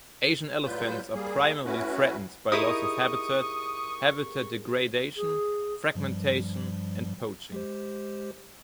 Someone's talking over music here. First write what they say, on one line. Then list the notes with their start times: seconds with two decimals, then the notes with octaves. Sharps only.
Asian elephants are primarily threatened by loss of habitat, habitat degradation, fragmentation and poaching.
0.65 A2 F#3 G3 F4 B4 G6
1.14 G3 A#3 G#4
1.65 A3 C#4 E4 F#4 B4
2.52 D#4 E4 G4 G#4 A#4 C#6 D#6
5.17 G#4
5.95 G2 F3 G3
7.52 G#3 G4 C5